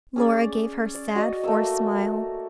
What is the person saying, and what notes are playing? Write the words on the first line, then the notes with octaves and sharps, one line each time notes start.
Laura gave her sad, forced smile.
C#4 G#4 D5
D5
F#4 D5 D#5
A3 A#3 E6